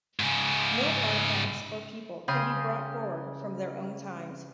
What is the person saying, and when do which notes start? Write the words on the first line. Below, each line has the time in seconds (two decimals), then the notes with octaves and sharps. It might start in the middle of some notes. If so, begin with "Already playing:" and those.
No artifacts or people can be brought forward from their own times.
0.19 G#2 C#3
2.28 C#3 G5 C6 D#6